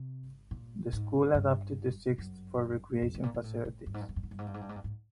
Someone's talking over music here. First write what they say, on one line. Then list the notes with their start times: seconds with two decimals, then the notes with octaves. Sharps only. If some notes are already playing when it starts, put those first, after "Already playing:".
The school adapted the sixth for recreation facilities.
Already playing: C3
0.51 A#2
0.93 G#2
1.34 G2
2.18 F#2
3.02 F2
3.14 A2
3.23 A#2
3.34 A#2
3.44 A2
3.65 A2
3.86 G2
3.94 G#2
4.01 G2
4.09 G#2
4.16 G2
4.23 G#2
4.31 G2
4.39 G#2
4.46 G2
4.54 G#2
4.61 G2
4.69 G#2
4.76 G2
4.84 G#2